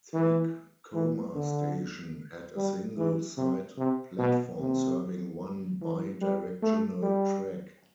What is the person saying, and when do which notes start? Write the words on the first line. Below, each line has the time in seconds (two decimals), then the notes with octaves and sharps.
Takekoma Station had a single side platform serving one bi-directional track.
0.14 E3
0.94 E3
1.35 D3
2.56 G3
2.97 E3
3.38 C3
3.78 C3
4.19 B2
4.60 C3
5.81 E3
6.21 G3
6.63 A3
7.02 G3